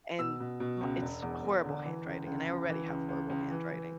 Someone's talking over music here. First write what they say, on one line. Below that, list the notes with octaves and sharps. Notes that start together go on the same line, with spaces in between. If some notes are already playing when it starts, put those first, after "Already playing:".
and my it's horrible handwriting, and I already have horrible handwriting,
B2 E6
B2
B2
C#2
E1
E2
E1
D3
E3
C#2
C#2
C#2
E3
C#2
C#2
C#2
E3
E3